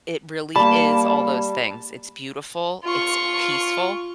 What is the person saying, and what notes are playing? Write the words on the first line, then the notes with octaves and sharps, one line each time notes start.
it really is all those things, it's beautiful, it's peaceful
G3 A#3 A5 B5
F4 C#6